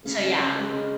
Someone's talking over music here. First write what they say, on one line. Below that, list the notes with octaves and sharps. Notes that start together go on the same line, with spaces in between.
so yeah.
C#3
C#4
C#3
G#3
C#3